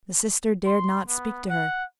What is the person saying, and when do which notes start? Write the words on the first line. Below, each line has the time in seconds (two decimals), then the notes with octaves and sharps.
The sister dared not speak to her.
0.66 C6
1.08 B3
1.49 F#5